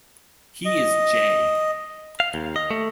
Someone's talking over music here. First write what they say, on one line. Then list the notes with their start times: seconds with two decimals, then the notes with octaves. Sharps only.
He is J.
0.65 D#5
2.20 F5
2.34 D#2
2.56 D#5
2.71 A3